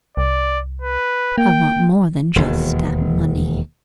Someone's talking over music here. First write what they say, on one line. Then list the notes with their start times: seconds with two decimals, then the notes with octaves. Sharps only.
I want more than just that money.
0.17 C2 D5
0.82 B4
1.38 A#3 G5
2.36 E1 D#2